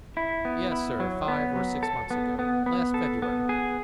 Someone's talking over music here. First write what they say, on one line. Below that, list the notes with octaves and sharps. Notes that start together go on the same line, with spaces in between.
"Yes, sir, five or six months ago--last February."
E4
B3
E4
F#3
B3
F#3
A4
B3
B3
B3
A4
B3
G#4